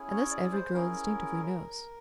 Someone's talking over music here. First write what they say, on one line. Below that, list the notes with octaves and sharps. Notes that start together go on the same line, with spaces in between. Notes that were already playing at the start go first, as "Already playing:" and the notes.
And this every girl instinctively knows.
Already playing: C#4 E4 G#4
C#5
D5
C5
C#4 E4 G#4 A#4